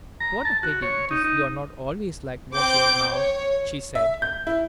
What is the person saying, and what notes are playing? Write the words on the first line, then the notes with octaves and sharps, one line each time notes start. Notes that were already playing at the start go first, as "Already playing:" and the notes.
"What a pity it is you are not always like what you are now!" she said.
A#5
A5
F#4
C#5
D#4
D#4
C4 D6 G6
C#5
E5
G6
E4